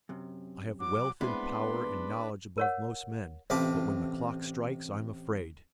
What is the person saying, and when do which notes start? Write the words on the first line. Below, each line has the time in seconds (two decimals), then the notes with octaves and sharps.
I have wealth and power and knowledge above most men, but when the clock strikes I am afraid.
0.09 F#2 C3
0.80 F#3 D6
1.21 G#3 B3 C4 D4 E4 B4 C6
2.58 A#4 C#5 F#5
3.50 A1 C3 F4 A5 B5 D6